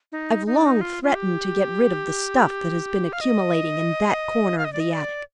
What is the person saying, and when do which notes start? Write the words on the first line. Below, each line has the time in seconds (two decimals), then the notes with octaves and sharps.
I've long threatened to get rid of the stuff that has been accumulating in that corner of the attic.
0.12 D#4
0.47 D#4
0.56 D4
0.66 D#4
0.81 F4
1.03 F4
1.15 G4
3.13 F5
3.21 D#5
4.58 F5
4.65 D#5
4.73 D5
4.80 D#5
4.93 D5